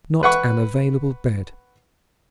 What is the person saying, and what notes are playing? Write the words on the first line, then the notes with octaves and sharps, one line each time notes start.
Not an available bed.
B4 F#5 C#6